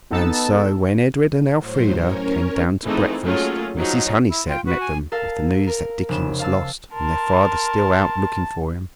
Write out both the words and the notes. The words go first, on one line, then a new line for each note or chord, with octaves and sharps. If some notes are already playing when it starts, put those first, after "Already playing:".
And so, when Edred and Elfrida came down to breakfast, Mrs. Honeysett met them with the news that Dickie was lost and their father still out looking for him.
B3 D#4 A4 A5 E6
A2 F#3 C5
C#4 A#4 C#5
E3 F3 A3 C4 D#4 G#4
F#3 A3 A#3 C#4 F4 G#4
F3 F#3 D#4
E4
F4 G5
F#4 B4
G#5
A4 A#4 F5 A5
A#4
F1 C#3 E7
F5 A5 E6
A#4 A5 C6